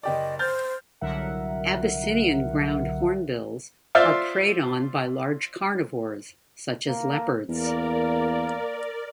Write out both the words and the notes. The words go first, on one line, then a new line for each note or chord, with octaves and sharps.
Abyssinian ground hornbills are preyed on by large carnivores, such as leopards.
F#1 G4 D5 D#5
C5 F6 G6 A6
C2 D3 F#3 A#4 E5 F#5
F4 C5 D5 E5 F5
A#3
E2 A#3 A#4 D5